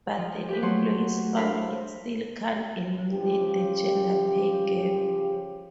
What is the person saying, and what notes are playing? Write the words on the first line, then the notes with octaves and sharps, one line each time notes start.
But the employees found it still can't eliminate the gender pay gap.
F3
G4 B4
F#3 A3 F#5 C6
D4 E4 A#4 C5 F5 B5
C#3 F3 G4